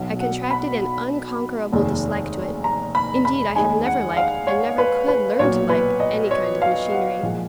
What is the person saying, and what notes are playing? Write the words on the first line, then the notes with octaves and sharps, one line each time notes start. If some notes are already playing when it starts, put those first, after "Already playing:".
I contracted an unconquerable dislike to it; indeed, I had never liked, and never could learn to like, any kind of machinery.
Already playing: B1 B2 F#3
F#5
B5
F1 D#2 D#3 G#3
A#5
B5
B5
D#2 D#3 G#3 G#5
F#5
F5
C#5
B4
B4
B1 A#2 F#3 C#5
B4
D#5
C#5
F5
F#5
A#1 A#2 F3 G#3